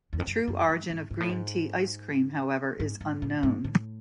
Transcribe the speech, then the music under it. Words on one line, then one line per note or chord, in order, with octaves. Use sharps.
The true origin of green tea ice cream, however, is unknown.
E2
F2
F#2
F#2
G2
G#2
G#2
A2
G#2
G#2
G#2
A2
G#2
A2